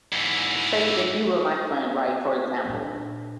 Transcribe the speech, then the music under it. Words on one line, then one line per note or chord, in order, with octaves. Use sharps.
say if you were my friend, right, for example,
G#2 E3
A#2 D4